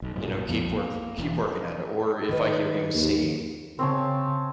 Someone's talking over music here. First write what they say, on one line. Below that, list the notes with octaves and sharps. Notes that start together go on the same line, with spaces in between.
You know, "Keep work keep working at it." Or if I hear him singing,
B1
B1 G2 A#2
A#1 F2 F3 B3
A#3
E1 E2
D#3 B4
D#2
C#3 C4 C#5 A5